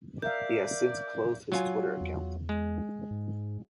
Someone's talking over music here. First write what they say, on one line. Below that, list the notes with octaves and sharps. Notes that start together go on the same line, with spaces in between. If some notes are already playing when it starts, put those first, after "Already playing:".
He has since closed his Twitter account.
A#4 D5 E5 F5 G6
F#3 F4 G#5
E2
G#3
G#2